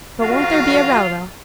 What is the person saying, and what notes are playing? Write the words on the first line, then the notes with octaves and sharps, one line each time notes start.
But won't there be a row though?
F2 F4 F#4 F5